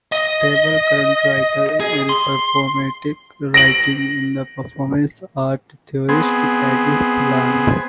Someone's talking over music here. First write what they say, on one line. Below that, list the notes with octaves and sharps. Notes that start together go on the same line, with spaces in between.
A notable current writer in performative writing is the performance art theorist Peggy Phelan.
D#5
G#4
C6
A#6 D7 F#7
B3 C4 G#4